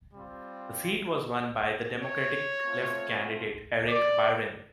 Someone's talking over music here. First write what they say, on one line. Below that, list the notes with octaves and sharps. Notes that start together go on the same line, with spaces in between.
The seat was won by the Democratic Left candidate Eric Byrne.
G3 C4 F4
C#5
A3 C4 F4
D5